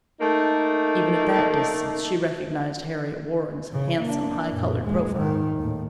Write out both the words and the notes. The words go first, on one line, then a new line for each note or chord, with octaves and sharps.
Even at that distance she recognized Harriet Warren's handsome, high-coloured profile.
A3 A#3 D#4
C#3
A#3 D4
F#2 A#2
D#2 G#3
G#2 D#3
D#2 A2